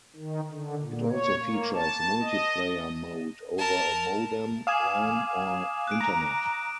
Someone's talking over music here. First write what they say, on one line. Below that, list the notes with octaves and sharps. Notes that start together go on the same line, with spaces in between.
It also features multiplayer mode over a modem line or Internet.
D#3
D3
A#2
C#5
A#3
A5
D#5
A#4 A5
F5 G#5 D6 D#6 E7
F#6 D7
A#5 F#6